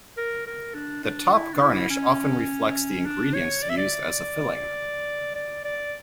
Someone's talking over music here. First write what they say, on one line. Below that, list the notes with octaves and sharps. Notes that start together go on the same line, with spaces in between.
The top garnish often reflects the ingredients used as a filling.
A#4
A#4
D4
D4
E4
D4
E4
C#4
D4
C#5
D5
E5
D5
D5
D5